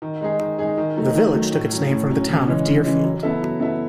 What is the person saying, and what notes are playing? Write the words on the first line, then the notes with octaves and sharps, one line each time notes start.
The village took its name from the Town of Deerfield.
D#3
G#3 D#4 G#4
D#3
G#3 D#4 G#4
D#3
F#3 A3 D#4
D#3
F#3 A3 D#4
A2
F#3 C#4
A2
F#3 C#4
C#3
E3 G#3 C#4
C#3
E3 G#3 C#4
F#3
B3 E4 A4 E5
F#3
B3 E4 A4 E5